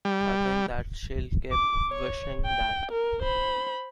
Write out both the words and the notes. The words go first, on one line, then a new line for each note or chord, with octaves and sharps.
I think that she'll keep wishing that.
G3
D6
C#5
G5
A#4
C5 B5